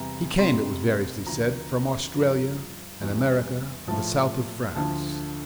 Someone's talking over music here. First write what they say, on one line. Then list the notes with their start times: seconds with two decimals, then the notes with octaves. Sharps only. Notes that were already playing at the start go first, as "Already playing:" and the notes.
He came, it was variously said, from Australia and America and the South of France.
Already playing: E2 C3 E3 G3 A#5
0.39 F2 C3 G3 C6
1.26 D2 D3 F3 A#5
2.14 G2 F3
3.01 E2 E3 G3
3.88 A2 F3 A5
4.76 D2 D3 F3 A5